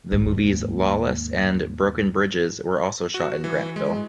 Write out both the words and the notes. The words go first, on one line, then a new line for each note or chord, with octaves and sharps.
The movies "Lawless" and "Broken Bridges" were also shot in Grantville.
D#2 G#2
F#4
E3
G#3